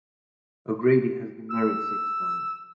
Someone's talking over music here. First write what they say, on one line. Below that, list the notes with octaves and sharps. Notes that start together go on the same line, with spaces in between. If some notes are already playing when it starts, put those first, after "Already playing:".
O'Grady has been married six times.
E6